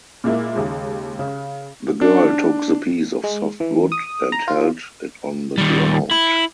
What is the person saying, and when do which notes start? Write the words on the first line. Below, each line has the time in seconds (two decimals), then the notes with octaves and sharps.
The girl took the piece of soft wood and held it on the ground.
0.24 A#2 G#3 A#3 E4
0.56 D#2 C#3 G#3
1.19 C#3
2.01 D4
3.24 G#3
3.60 E3
3.92 D#6
4.32 A#5
4.48 F4
5.58 D#3 G3
6.11 E4